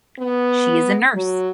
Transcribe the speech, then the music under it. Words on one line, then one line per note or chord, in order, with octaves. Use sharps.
She is a nurse.
B3
F#3